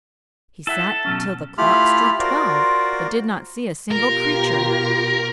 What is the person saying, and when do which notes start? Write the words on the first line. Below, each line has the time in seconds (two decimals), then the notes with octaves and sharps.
He sat till the clock struck twelve, but did not see a single creature.
0.67 E4 A4 E5 F#5
1.05 B2 F#3 C#4
1.58 A3 E4 F4 G4 B5 F6
2.19 F4 F#4 A#4 C5 D5
3.91 B2 F4 G4 A#4